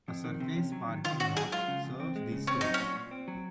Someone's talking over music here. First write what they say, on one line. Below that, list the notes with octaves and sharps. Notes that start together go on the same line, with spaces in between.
A surface parking lot serves these stores.
F2
D#3
C3
C#4
F#3
D#3
D#3 F4
C#4 F#4
F#3 G#4
G#3 F4
C#3
F2
C4
G#3
C#3
C4 C#4
F#3 D#4
C#4
A#2
A#2
C4
F#3